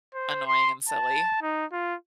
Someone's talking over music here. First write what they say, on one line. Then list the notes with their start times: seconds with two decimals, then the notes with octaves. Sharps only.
annoying and silly,
0.14 C5
0.47 C6
0.89 A5
1.42 D#4
1.72 F4